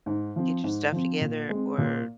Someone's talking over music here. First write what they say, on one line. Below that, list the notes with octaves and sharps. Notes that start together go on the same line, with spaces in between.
"Get your stuff together or
G#2
F3 C4
G#2
F3 C4
A#2
G#3 C4
A#2